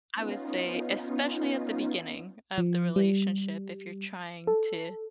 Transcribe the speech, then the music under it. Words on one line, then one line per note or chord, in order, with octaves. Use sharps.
I would say, especially at the beginning of the relationship, if you're trying to
B3 C#4 D#4 F4
F3
G3
A4